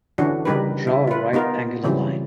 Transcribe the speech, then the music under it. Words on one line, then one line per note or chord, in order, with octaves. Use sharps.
Draw a right-angular line.
D3 E3 C#4 D4 F#4
C#3 G3 D#4 G4 A#4 B4
E4
F4 B4
B3 D#4 F4 A#4
C#3 E3 F#3 G3 C4